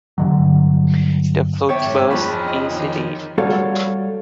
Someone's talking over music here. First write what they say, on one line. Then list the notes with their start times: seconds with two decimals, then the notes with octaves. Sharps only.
The fruit bursts easily.
0.18 G2 D3 F#3
1.69 E2 C#5 D5 E5 G5
1.85 G#2
2.10 F2 F3 D4 G#4 B5
2.48 D#5
2.72 D#3 G4
3.38 G3 F#4 A4 C#5 D5 F5